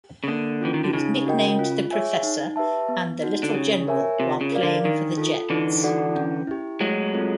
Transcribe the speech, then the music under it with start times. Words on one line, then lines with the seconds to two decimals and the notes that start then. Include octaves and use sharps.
He was nicknamed "The Professor" and "The Little General" while playing for the Jets.
0.24 C#3
0.27 D3 A#3
0.61 E3 C#4 F4
0.74 D#3
0.84 D3
0.93 C#3 D#4
1.26 F#4 A#4 D#5 G5
1.59 F4
1.91 G#4 C#5 E5 G#5
2.23 D#4
2.56 G4 B4 E5 A5
2.88 B3
3.22 D#4 F#4
3.43 D3
3.54 C#3 G4
3.87 A#4 C#5 E5 G#5
4.19 C3 F4
4.41 C#3
4.52 A#4 D5 F5
4.63 D3
4.84 D#3 D4
5.17 F4 A4
5.50 D3 E3 D#4
5.83 F#4 A4 D5 F#5
6.15 C#4
6.47 E4 G4
6.80 F#3 G#3 A3
7.13 C4 F4 A4